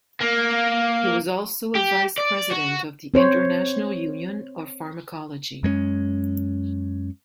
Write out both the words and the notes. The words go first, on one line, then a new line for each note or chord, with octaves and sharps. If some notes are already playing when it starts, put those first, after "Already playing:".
He was also a vice-president of the International Union of Pharmacology.
A#3
G4
D5
F#4
C4 C5 C#5
F#2 G#3 A3 C#4